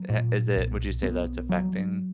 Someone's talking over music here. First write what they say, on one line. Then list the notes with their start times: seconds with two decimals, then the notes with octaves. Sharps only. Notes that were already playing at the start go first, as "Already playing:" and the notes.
Ha is it would you say that it's affecting
Already playing: F#3
0.10 A#2
0.56 B1
1.03 B3
1.49 F#3